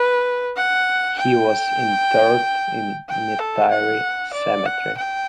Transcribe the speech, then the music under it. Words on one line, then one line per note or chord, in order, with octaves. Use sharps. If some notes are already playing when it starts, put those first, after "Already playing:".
He was interred in Metairie Cemetery.
Already playing: B4
F#5
G5
G5
A4
F#5
D5
F#5
G5